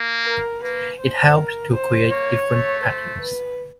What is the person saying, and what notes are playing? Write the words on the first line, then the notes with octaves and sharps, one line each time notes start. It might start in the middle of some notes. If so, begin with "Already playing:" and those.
It helps to create different patterns.
Already playing: A#3
A#4
A#3 B4
C5
A#4
C5
A#3 C#5
A3
C5
B4